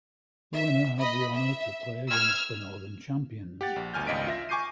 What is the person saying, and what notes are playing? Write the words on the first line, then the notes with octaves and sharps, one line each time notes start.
The winner had the honor to play against the Northern Champions.
E5
D#5 B5
E5
E6 F6 G#6
G4 F#5 A6
A#1
G1 D2 G#5 F6 G6
G#1 C#2 D#5 B6 D7
F4 E5 A#6
G#5 C#6 D6 G6 C7 D#7